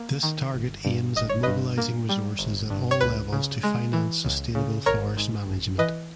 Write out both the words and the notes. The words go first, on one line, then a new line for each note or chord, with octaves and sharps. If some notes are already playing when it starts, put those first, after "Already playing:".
This target aims at mobilizing resources at all levels to finance sustainable forest management.
Already playing: A#3
D#3
G1
G2
G1 D#5
C#5
G2 B4 D#5
A#3
G3
G1
G2
C#5
C#2 B4
C#3
G#3
E3
C#2
C#3
G#1 A#4 C#5
G#2
G#1
E3 B4 D#5